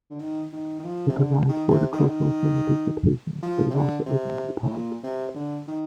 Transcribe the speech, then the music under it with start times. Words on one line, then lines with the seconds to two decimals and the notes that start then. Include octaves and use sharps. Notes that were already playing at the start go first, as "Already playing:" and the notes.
It provides horticultural therapy for patients, but is also open to the public.
0.10 D3
0.20 D#3
0.53 D#3
0.79 D#3
0.85 F3
1.09 C3
1.17 D3
1.49 D#3
1.71 C3
1.92 D#3
1.99 D3
2.06 D#3
3.42 F3
3.70 C3
3.75 D3
4.06 C3
4.62 A2
4.72 A#2
5.03 C3
5.35 D3
5.68 D#3